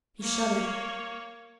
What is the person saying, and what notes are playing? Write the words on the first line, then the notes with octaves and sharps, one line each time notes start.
He shuddered.
A#3 C#5